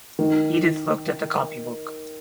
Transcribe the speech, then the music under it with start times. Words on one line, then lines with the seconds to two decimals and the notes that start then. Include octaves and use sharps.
Edith looked at the copybook.
0.19 D#3